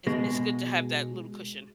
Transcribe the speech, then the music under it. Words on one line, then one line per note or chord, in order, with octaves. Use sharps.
It's it's good to have that little cushion.
B2 G#3